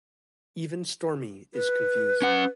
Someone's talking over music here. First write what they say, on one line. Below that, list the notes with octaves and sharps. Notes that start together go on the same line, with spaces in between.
Even Stormy is confused.
B4
C#4 F#5